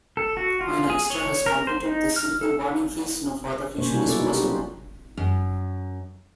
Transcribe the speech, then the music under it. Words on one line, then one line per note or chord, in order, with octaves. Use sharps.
When a star has completed the silicon-burning phase, no further fusion is possible.
A4
F#4
F4
G#4
C#5
A#4
C5
D#4
F6
A4
B2 A#3 C#4 D4 C5 C#5
C3 G3 F#4
D#3 F#3 B3 E4 A4 D5
D#4 F4 F#4
D4 G4
F#3 C#4 F4 C5
F#2